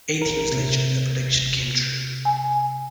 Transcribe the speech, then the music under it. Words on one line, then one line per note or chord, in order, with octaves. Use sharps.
Eight years later the prediction came true.
A#4
C3
G#5